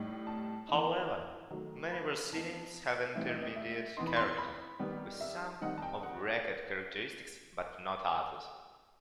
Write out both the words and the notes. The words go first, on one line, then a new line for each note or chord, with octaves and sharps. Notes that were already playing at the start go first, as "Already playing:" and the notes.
However, many proceedings have intermediate character, with some "of record" characteristics but not others.
Already playing: A2 G3 D#4
A5
E3 B3 D#4
D#3 F#3 A3
B5
E3 B3 D#4 A5
A2 E3 G3 C4 D#4 E5
D#5
D#5
E5
E3 B3 D#4 C6
B5
C6
B5
D#3 G3 B3
E5
D#3 G3 C4 D#4 F#5
A5
G5
F#5